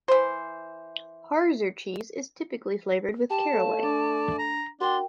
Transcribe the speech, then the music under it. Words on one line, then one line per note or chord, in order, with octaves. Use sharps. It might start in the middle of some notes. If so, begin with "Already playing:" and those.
Harzer cheese is typically flavoured with caraway.
E3 C5
G4 A5
A3 C#5 F5
D4 D5
A#5
D4 F#4 A#4 G5 C6